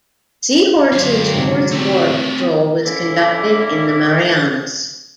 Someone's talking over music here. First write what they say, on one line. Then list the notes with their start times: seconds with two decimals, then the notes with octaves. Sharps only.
"Seahorse"'s fourth war patrol was conducted in the Marianas.
0.93 F#2 D3 F#3 F5
1.34 G#2 C3
1.72 A3 C4
2.83 A2 D3 A#3 C#4 E4